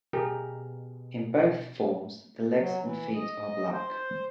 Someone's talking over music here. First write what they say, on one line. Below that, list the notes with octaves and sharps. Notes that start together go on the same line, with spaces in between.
In both forms the legs and feet are black.
B2 G4 G#4 A#4
F#3
E3
D#5
C5